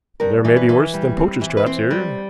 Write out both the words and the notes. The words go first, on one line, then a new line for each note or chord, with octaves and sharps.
"There may be worse than poachers' traps here."
G2 A#4
E3
B4
E3
G3
C4
E3
B4
C4 C5
G3